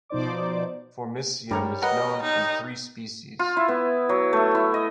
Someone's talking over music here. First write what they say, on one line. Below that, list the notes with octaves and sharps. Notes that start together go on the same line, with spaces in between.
"Formicium" is known from three species.
B2 F3 D#4 C5 D5 D6
G2 G3 A#4 C#5
A#4 B4 D#5 F#5 A#5
D#4
F4
E4
B3
F#3
A3
E4
D#5